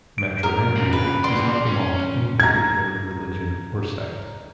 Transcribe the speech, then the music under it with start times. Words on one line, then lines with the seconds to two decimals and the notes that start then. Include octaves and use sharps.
Matrimandir does not belong to any particular religion or sect.
0.18 D7
0.43 A#4
0.77 D#2 C#3
0.93 B4
1.24 G#4 D5 C6
1.66 C#4
2.40 A#5 G#6